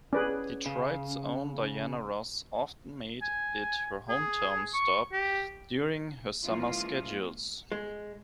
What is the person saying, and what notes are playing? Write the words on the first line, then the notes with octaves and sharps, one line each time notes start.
Detroit's own Diana Ross often made it her hometown stop during her summer schedules.
C#4 G#4 B4 D5
C#3
G#5
G#4
C#6
G4
E3 F3 G#3 A#3 C#4 F4
G#3